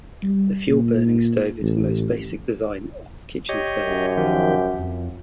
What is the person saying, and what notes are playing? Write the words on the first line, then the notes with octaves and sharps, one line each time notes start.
The fuel-burning stove is the most basic design of kitchen stove.
G3
A#2
A1
G4 C#5 D#5
F#2
D#3 F3 G4
F2